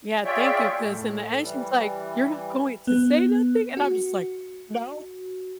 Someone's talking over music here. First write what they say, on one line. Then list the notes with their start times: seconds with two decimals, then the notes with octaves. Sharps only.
Yeah, thank you, 'cause in the end, she's like, "You're not going to say nothing?" And I'm just like, "No."
0.25 F4 G#4 C#5 D5 E5 G5
0.82 A2
1.42 E3 G3
2.87 B3
3.77 F#4